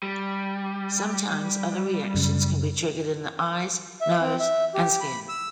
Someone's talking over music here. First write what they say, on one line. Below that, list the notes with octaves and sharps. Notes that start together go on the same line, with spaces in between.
Sometimes other reactions can be triggered in the eyes, nose, and skin.
G3
F#2 C#3
E5
C4
E5
G4
B5
E6